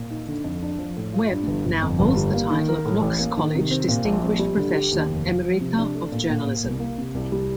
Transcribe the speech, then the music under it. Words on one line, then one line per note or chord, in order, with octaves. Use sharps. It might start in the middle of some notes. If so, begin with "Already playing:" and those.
Webb now holds the title of Knox College Distinguished Professor Emerita of Journalism.
Already playing: A#2
D#4
D3
F2
D4
F3
A2
F4
G2
G1
G1
F2
G1
G3
A#3
D#3
A#4
A2
A1
A#3
D#3
C3
C4
A#2
A#1
C4
G3
D3
G4
D#2
F1
F3
F3
C3
D4
A3
A#2
A#2
A#2
C2
A#3
C3
C2
G3